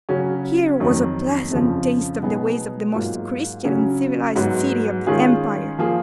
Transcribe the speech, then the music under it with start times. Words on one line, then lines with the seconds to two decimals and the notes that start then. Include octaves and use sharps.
Here was a pleasant taste of the ways of the most Christian and civilised city of the Empire!
0.09 C#3 F#3 C#4 F#4
0.80 F2 D#3 F#3
1.51 F2 C#3 F3
2.22 B2 F#3 B3 D#4 G#4
2.93 G#2 F#3 A#3 F4
3.65 C#3 F#3 C#4 F#4
4.35 G#2 F#3 B3 F#4
5.07 D#3 G#3 C#4 F4 G#4
5.78 F3 A#3 F4 G#4